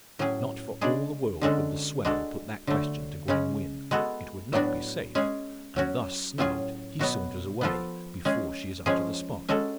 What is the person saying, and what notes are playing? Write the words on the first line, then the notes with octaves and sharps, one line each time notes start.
Not for all the world would the swell put that question to Gwen Wynn. It would not be safe; and thus snubbed he saunters away, before she is up to the spot.
A2 F#3 C#4 G#4
C#3 G#3 D4 G#4
D3 G#3 C#4 F#4 A4
G#3 D4 F#4 A4
D3 F#3 A3
C#3 G#3 C#4
G#3 B3 F#4 A4
A2 F#3 B3 D4 F#4
G#3 C#4 G#4
F#3 C#4 F#4
A2 F#3 C#4 F4 G#4
B2 F#3 B3 F#4
F3 B3 F4 A4
G#3 C#4 G#4
F3 G#3 C#4 G#4
G#3 C#4 F#4 A4